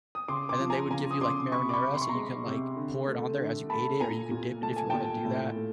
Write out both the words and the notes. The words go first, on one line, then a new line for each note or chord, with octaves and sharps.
and then they would give you like marinara, so you can, like, pour it on there as you ate it, or you could dip it if you wanna do that,
D#6
C#3 C6 D6
C6 D6
F3
G#5 A#5
C#3 G#5 A#5
D#6
C#3 C6 D6
C3 B5 C#6
D6
B5 C#6
C3
C6
C#6
A#5 C6
G#3
C3
D3
A3
D3
A3 A5 B5
A#2 G#5 A#5
A#2
A3 A5
G#5
A#2 G5 A5
A2
A3